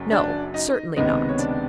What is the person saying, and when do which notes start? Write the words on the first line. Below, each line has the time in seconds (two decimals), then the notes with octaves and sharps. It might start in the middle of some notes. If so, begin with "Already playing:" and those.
No; certainly not.
Already playing: F#1 F#2 F#3
0.11 D4 D5
0.54 D#4 D#5
0.96 C#2 C3 D#3 G#3 B3 D#4 D#5
1.29 C#5
1.38 D4 D5